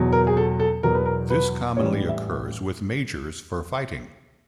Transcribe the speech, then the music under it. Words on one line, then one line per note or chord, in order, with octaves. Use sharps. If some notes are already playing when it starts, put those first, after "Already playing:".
This commonly occurs with majors for fighting.
Already playing: E2 B2 F#3
A#4
G#4
A4
A4
E2 B2 F#3 A#4
B4
A#4
B4
A1 A2 E3 G3 C#5
E5